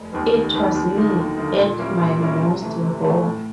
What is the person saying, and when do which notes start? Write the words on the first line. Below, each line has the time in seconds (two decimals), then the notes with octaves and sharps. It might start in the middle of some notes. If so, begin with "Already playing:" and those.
It was me at my most raw.
Already playing: F1
0.12 D#2 D#3 G3 B3
0.33 F1
0.54 D#2 D#3 G3 B3
0.74 D#2
0.95 D3 F#3 A#3 D#4
1.16 D#2
1.37 D3 F#3 A#3 D#4
1.58 A#2
1.79 G3 A#3 C#4 E4
1.99 A#2
2.20 G3 A#3 C#4 E4
2.41 C3
2.62 E3 A3
2.83 C3
3.02 E3 A3
3.23 A2